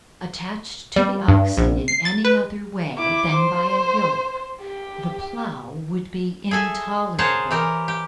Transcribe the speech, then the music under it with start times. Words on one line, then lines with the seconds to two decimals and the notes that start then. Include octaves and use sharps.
Attached to the oxen in any other way than by a yoke, the plough would be intolerable.
0.96 G3
1.28 G2
1.57 A#1
1.88 C7
2.05 A6
2.25 B4
2.97 E4 D6
3.35 C5
4.62 G4
6.51 G#4 A4 E5 G#5
7.18 G#4 A#4 C5 C#5 F#5 A5
7.51 E3 G4 A#4
7.88 G4